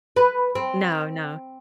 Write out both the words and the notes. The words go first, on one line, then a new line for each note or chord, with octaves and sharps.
No, no.
B4
C4